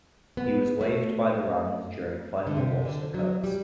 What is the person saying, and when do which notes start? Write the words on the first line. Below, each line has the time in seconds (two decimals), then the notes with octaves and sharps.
He was waived by the Rams during final roster cuts.
0.37 B3
0.81 A3
2.47 D3
2.57 C3
2.85 D3
3.14 F#3
3.44 G3